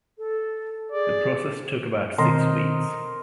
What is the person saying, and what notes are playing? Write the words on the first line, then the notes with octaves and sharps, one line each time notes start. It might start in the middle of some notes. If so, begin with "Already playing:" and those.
The process took about six weeks.
A4
G#4 D5
B2 D#3 C4 A#4 C5 D#5